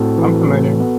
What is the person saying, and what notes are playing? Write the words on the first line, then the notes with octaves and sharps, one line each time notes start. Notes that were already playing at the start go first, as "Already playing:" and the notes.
I'm familiar.
Already playing: A2 C4 F#4 A4
E3
A2
B3